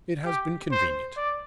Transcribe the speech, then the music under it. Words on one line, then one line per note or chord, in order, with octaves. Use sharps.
It has been convenient.
G4
C5
D5